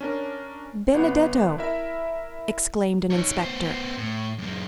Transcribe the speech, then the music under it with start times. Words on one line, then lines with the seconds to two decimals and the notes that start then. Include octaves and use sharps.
"Benedetto!" exclaimed an inspector.
0.01 C#4 D4 A#4
0.94 G1 B3
1.58 E4 A#4 E5
3.10 D#4 C#5
3.40 B3 C5
3.98 A2
4.39 F#2 G#3